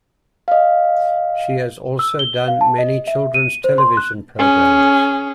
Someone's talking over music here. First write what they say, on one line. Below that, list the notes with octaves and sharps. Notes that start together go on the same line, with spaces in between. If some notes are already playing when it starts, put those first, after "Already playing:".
She has also done many children's television programs.
D#5 F5
E6
G7
F5
A5
D#5
E5
D#7
C5
C6
F#6
C#4 G#4